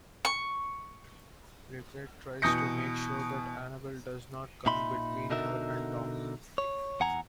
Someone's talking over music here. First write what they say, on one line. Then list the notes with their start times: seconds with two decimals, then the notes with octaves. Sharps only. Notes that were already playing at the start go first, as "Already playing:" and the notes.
Lynette tries to make sure that Annabel does not come between her and Tom.
0.25 C#6
2.42 B2 E3 D#6 G6 A#6 C#7
4.66 A#2 D#4 E5 B5 C6
5.30 B2 D3 D#4 F#4 A#4 E5
6.58 C#5
7.00 E2 F#5 G#5 A#5